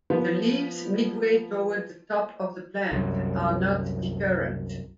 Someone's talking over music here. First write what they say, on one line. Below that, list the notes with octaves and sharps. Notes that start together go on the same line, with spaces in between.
The leaves midway towards the top of the plant are not decurrent.
F3 B3
C2 F#2